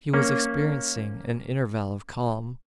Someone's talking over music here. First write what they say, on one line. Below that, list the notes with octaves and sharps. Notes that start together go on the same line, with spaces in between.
He was experiencing an interval of calm.
A#3 C#4